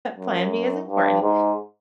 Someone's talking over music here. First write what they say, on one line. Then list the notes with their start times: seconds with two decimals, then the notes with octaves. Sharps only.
plan B is important,
0.17 F#2
0.88 G2
1.22 G#2